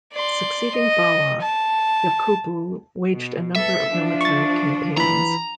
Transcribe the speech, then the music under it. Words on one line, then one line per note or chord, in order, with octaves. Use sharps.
Succeeding Bawa, Yakubu waged a number of military campaigns.
D5 C6
D#5
A5
B2
B3 A4 E5
F3 D4
C#6 A6
E3 A#5 B5